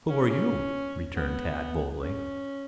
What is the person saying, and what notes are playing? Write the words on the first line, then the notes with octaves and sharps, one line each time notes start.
"Who are you?" returned Tad boldly.
C#4
C#4
B3
C#4